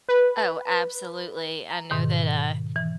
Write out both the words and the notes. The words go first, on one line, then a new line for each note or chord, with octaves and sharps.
Oh, absolutely. I know that, uh,
B4
A#5
G#2 B2 D#3
E3